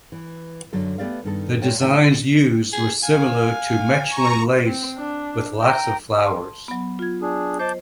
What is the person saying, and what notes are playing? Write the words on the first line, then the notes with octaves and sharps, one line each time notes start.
The designs used were similar to Mechlin lace, with lots of flowers.
E3
F#2 D3 F#3 A4
A3 B3 G4 D5 F5
G2 D#3 A4
A#2 A3 C#5 G5
A2 D#3 C#4 D#5 G5 A5
G#4
F5 G#5
A#5 C#6
C4
D4
G5 A#5
A5 C6
F#3 B3
F4 G#6
D4 G#4
C5 D#5 A5 D6 G6